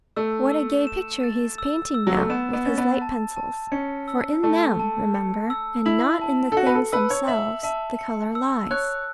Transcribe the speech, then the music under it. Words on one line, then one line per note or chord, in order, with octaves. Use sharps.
What a gay picture he is painting now, with his light-pencils; for in them, remember, and not in the things themselves the colour lies.
A3 E6
E6
E7
A6
E6
E6
F#3
A3
B3 E7
B3
C#4 A6
B3
A5
A5
C#4 C#7
E6
A3 A5
A5
C#7
E6
E4 F#7
A5
A4
F#4 C#7
B4
A4
B4 E6
C#5
E5 F#7
E5 A5
C#7
E6
C#5 F#6